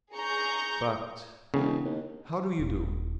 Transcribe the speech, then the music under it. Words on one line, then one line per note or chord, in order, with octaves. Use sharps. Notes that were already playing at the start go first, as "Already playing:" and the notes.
But how do you do?
G#4 A#5 C#6 G6
E1 C#3
D#2
D#1